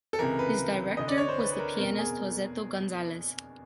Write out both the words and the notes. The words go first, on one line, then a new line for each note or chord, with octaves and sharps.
His Director was the pianist Joseito Gonzalez.
A4
C#2 C3 E3 A#4
B4
D2 D3 D#5
D5
C#5
C5
B4
B4
A#4
F1 E2 B2 A#4
G#4